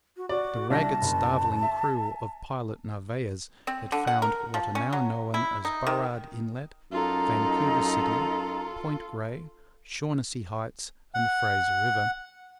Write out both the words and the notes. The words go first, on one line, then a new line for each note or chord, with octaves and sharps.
The ragged starveling crew of Pilot Narvaez had found what are now known as Burrard Inlet, Vancouver City, Point Grey, Shaughnessy Heights, and the Fraser River.
F#4
F#4 D5
C2 D4 A5 A#6
F#1
E5
C4
D3
F#5
A#4
F3
C#4
F#3
E4
D#4
D#3
F#2 D#4 F4 A4 A#5
F#5